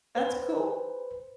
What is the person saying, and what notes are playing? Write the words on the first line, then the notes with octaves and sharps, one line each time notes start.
That's cool.
B4 C5